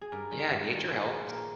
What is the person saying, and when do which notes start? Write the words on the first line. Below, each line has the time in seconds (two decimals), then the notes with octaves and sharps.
Yeah, nature helps.
0.01 G#4
0.12 G2 A#4
0.31 D#3 G3
0.50 G2
0.70 D#3 G3
0.88 A#2 G#4
1.07 F3
1.27 A#2 A#4